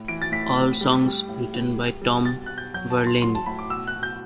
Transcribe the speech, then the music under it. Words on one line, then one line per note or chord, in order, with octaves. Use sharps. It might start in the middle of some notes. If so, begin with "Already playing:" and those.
All songs written by Tom Verlaine.
Already playing: A2
E3 D7
A6
A2 B6
A2
G3
G3
A2
A2
G3
G3
B2 A6
B2 F#6
G6
F#3 G6
A5
F#3
C6
F#3 C6
A5
A2 B5
D6
B2 E6
F#6
B2
G6